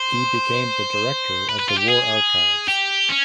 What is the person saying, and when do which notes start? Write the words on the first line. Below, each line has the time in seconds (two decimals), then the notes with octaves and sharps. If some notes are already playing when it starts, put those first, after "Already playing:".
He became director of the war archives.
Already playing: C5
1.49 B4
1.59 B4
1.69 F4
1.78 G4
1.89 G#4
2.68 G4
3.09 C#4